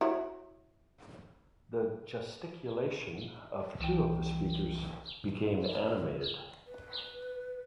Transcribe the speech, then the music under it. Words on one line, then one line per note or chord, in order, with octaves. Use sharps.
The gesticulation of two of the speakers became animated.
E4 F#4 C#5
C2 E3 G5
B4